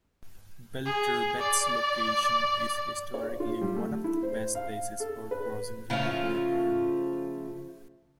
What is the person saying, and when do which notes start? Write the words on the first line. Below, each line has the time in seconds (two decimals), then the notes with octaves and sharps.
Belturbet's location is historically one of the best places for crossing the River Erne.
0.86 G#4
1.39 D5
3.14 C#5
3.40 F4
3.61 G3
3.76 A3
4.04 E4
4.23 C5
4.55 F5
5.00 A4
5.31 B4
5.90 C#3 F3 A3 F4